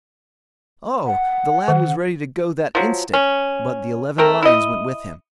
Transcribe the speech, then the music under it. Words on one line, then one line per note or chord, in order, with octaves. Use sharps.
Oh! the lad was ready to go that instant; but the eleven lions went with him.
F#5
D#3
F3 F#3
C#4
A3 C4 A#4
E4 D#5